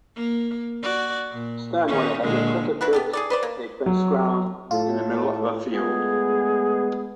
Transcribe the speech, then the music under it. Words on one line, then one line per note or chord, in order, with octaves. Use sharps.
Stanway has a cricket pitch, a fenced ground, in the middle of a field.
A#3
F#4 D5
A#2
D#3 C#4
A#2 D3 G#3
D4 E4 F#4 B4
B3 G4 A4
G#4 A4 D5
B4 C5 D5
A#3
F#3
A2 F4 A4
G#3 A3 B3 G#4